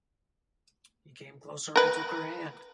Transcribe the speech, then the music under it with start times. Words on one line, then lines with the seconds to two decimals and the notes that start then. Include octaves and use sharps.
He came closer and took her hand.
1.76 A#4 B4